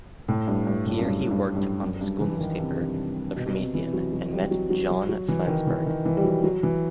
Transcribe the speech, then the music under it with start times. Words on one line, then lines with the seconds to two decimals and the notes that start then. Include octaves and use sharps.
Here, he worked on the school newspaper, the "Promethean", and met John Flansburgh.
0.28 A2
0.48 G2
0.67 G2
0.86 A2
0.99 F#2
1.05 G2
1.31 G2
1.57 G2
1.83 F#2
2.01 G2
2.20 E3
2.40 D#3
2.59 C3
3.36 B2
3.46 B2
3.55 C3
3.74 E3
3.94 F#3
4.13 F#3
4.32 G3
4.51 F#3
4.70 F#3
4.90 F#3
5.09 F#3
5.28 E3
5.47 D#3
5.67 E3
5.86 D#3
6.05 E3
6.17 G3
6.25 F#3
6.44 F#3
6.63 E3